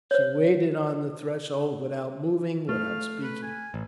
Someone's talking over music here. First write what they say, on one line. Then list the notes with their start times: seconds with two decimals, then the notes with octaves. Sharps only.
She waited on the threshold without moving, without speaking.
0.11 C5 C#5
2.69 A3 F5
3.23 B4
3.43 G#5
3.74 A1